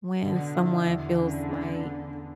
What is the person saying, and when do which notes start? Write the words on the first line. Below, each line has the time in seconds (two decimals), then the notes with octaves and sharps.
when someone feels like
0.23 B2 D3
0.55 E4
0.86 E2 D3
1.18 C#3
1.49 B3
1.81 B3